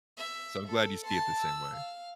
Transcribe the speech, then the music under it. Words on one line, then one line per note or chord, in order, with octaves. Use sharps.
so, I'm glad you see it the same way.
E5
A4
A5 C6
E6
F5